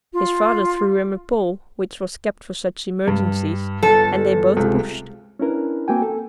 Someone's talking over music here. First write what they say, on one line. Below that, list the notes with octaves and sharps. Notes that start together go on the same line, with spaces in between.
His father threw him a pole which was kept for such emergencies, and they both pushed.
F4
G2
G1 A4
C#2 C3
C#4 D4 E4 A#4 B4
A#3 C4 F#4 G5 G#5
A4